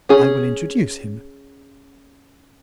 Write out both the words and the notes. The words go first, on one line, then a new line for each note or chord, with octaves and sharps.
"I will introduce him."
C#4 G#4